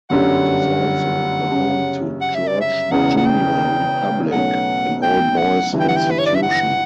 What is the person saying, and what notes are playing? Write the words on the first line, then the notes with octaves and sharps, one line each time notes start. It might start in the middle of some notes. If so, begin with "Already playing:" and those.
It is also the home to George Junior Republic, an all-boys institution.
G1 F#2 D3 G3 F#5
F#2 C#3 G3 C#4
F#5
E5
D5
E5
E1 E2 C#3 F#5
F#5
G5
B1 B2 A3 C#4 F#5
G5
F#5
G1 G2 E3
G5
F#5
G5
B4
C#5
D5
E5
F#5